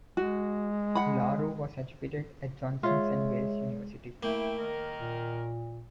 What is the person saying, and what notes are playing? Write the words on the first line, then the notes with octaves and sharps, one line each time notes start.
LaRue was educated at Johnson and Wales University.
G#3 F#4
F#5 B5
G#3 F4 C#5 E5
A3 A#3 E4 G5
D#3 A#4
A#2